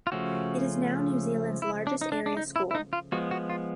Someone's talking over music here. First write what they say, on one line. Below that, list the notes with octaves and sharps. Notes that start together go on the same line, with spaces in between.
It is now New Zealand's largest Area School.
F4
C#3 F3 A3 C#4 F#4
E4
D4
D#4
D4
D4
D#4
E4
E4
D#4
F4
F3 G#3 B3 F#4
F#4
F4